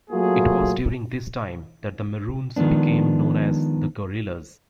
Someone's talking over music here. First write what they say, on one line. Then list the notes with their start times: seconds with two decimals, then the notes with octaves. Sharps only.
It was during this time that the Maroons became known as the Gorillas.
0.10 F#3 A3 A#3 F4 F#4 G#4
2.56 D#3 F3 G#3 B3 D4